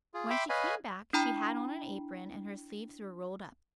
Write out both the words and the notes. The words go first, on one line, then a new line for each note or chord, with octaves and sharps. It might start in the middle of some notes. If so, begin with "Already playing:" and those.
When she came back she had on an apron and her sleeves were rolled up.
F4 G#4
E5 G5 B5 C6 D6
B4 C#5 D#5 F5 G#5 B5
D4 E4 G5 A#5 B5